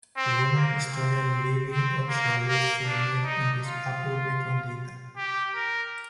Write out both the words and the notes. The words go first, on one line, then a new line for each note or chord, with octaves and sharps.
The Roman historian Livy also alludes to the myth in his "Ab Urbe Condita".
C4
A#3
C4
C4
A#3
A#3
D4
D#4
F4
G4
A#4